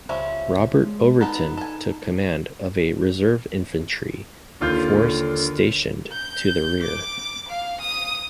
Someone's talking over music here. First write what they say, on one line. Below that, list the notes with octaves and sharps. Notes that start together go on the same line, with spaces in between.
Robert Overton took command of a reserve infantry force stationed to the rear.
C#2 F3 G3 C#4 E5
C#2
G#3
B3 D#4 A4 A#5
A4 G#5
D#2 D3 F4 G6
G6
D6
F5
D#6